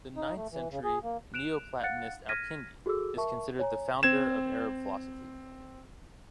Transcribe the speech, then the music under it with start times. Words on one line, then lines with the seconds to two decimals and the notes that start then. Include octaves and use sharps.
The ninth-century Neo-Platonist Al-Kindi is considered the founder of Arab philosophy.
0.16 D#4
0.36 A3
0.52 E3
0.71 C#3
0.84 G#4
1.03 A#3
1.34 F#6 D7 E7 F7
1.83 F5 F#5 F#6 A6 C#7
2.29 F6 G#6 A#6 B6 D#7
2.86 F#4 G#4 A4 D6 E6
3.17 A#4 E5 A5 C#6
3.59 C#5 G#5 A#5
4.03 C4 G#6 E7